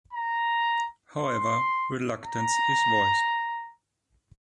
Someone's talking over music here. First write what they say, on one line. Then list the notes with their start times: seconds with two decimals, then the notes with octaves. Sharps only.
However, reluctance is voiced.
0.13 A#5
1.19 C6
2.25 A#5